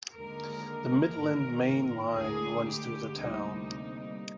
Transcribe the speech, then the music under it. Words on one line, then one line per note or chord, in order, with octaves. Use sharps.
The Midland Main Line runs through the town.
D#2 D3 G#3 A#4
G#2 D#3 A#3
D2 D3 G#3 G#4
G4
D2 C3 G3 A#3 D#4